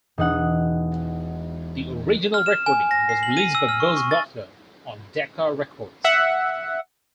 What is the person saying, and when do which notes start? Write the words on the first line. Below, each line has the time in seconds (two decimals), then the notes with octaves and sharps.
The original recording was released by Buz Butler on Decca records.
0.18 E1 D#4 F#5
2.34 F6
2.46 E7
2.66 G#5
2.91 A#6
3.09 C7
3.23 F#7
3.37 D#7
3.55 E6
3.69 F6
3.80 C#6
3.97 C#6
4.11 A6
6.04 E5 F#5